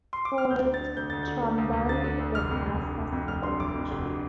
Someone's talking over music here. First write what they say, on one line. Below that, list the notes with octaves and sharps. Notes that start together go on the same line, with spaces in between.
Some called Trumbull the bursar's college.
C6
D6
F6
D2 G6
D3
A6
D3
D2 G6
D2 A6
D3 G6
D3
D2
D2
D3 A6
D3
D2
F1 F6
F2
F1
D3
F1
F2
F1 F6
D3 C6
F1 D6
F2
F1
D3